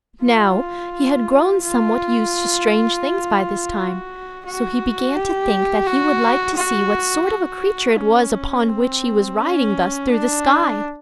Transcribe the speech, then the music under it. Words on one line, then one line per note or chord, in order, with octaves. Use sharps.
Now, he had grown somewhat used to strange things by this time, so he began to think that he would like to see what sort of a creature it was upon which he was riding thus through the sky.
F4
F4
F#4
F#4
G4
F#4
F#4
F#4
C#4
C4
C#4
D4